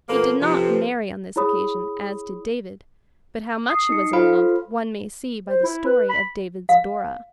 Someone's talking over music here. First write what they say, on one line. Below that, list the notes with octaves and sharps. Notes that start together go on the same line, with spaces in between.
He did not marry on this occasion, as did David, but how much he was in love one may see by the story of David's Dora.
B2 F3 A#3 A4 B4
C3 F3
E4 G#4 C#5 B5 D#6
D#6 C7
D#4 C#7
F4 A4 C5 F5 B5
C5
E4
B4
B5
F5